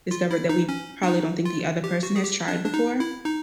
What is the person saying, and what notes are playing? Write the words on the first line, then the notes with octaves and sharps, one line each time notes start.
discovered that we probably don't think the other person has tried before.
F4
E4
D#4
C#4
D4
D#4
F4
G4
F#4
G#4
G4
D4
D4
D#4
E4
D#4